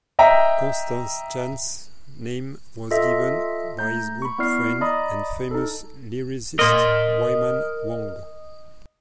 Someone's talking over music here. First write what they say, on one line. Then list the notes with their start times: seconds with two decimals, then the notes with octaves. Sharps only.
Constance Chan's name was given by his good friend and famous lyricist Wyman Wong.
0.19 D#5 E5 G5 A#5
2.91 F4 A4 D#5 E5
3.79 A3 A#5 G6
4.22 B5 C#6
4.38 B3 E4 D5 F6 C7
4.81 D5 D#5 A#5 B5 D#6
5.51 D#4 A4
6.59 A#4 D#5 C6